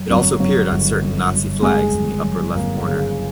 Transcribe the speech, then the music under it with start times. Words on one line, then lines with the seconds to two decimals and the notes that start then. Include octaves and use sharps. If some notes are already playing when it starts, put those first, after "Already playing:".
It also appeared on certain Nazi flags in the upper left corner.
Already playing: F#2
0.10 G1 F#3
0.40 C#3 F#3
0.71 G1
1.02 F#2
1.33 G1
1.62 C#3 G#3
1.94 G1
2.24 F#2
2.54 G1 A#3
2.86 C#3